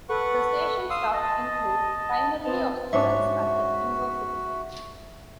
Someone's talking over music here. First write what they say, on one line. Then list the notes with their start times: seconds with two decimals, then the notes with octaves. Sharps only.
The station staff include primarily of students at the university.
0.09 A4 B4 F#5 C#6
0.90 F5 C6 D#6 E6
1.13 D#5 A5
2.44 B3 C4 A5
2.93 G#2 C#4 D4 F#4 E5